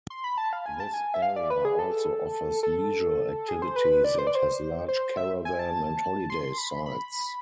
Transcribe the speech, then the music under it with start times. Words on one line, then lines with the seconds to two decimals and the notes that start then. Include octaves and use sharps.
This area also offers leisure activities, and has large caravan and holiday sites.
0.10 C6
0.24 B5
0.38 A5
0.53 F5
0.66 G#5
0.80 A5
0.94 G#5
1.14 E5
1.22 F5
1.36 D5
1.50 B4
1.65 G#4
1.79 A4
2.63 A4
3.48 G#4
3.62 C5
3.76 B4
4.04 D5
4.18 C5
4.27 D5
4.35 C5
4.88 C5
5.17 E5
5.45 G#5
5.59 A5
6.30 C6
6.44 C6
6.58 B5
6.86 B5